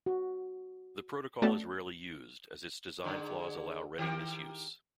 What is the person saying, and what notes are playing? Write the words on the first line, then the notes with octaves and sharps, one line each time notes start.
The protocol is rarely used, as its design flaws allow ready misuse.
F#4
A3 B3 C#4 F#4 D5 A5
G#2 D3
D#3 G4 A#4